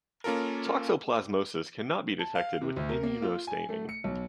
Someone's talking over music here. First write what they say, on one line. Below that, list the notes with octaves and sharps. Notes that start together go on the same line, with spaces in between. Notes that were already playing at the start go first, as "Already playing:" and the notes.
Toxoplasmosis cannot be detected with immunostaining.
A#3 C#4 F4 A4 A#4
A5
F5
C3
D2
A#4
A#3
F4
G#5
A3
C#7
B1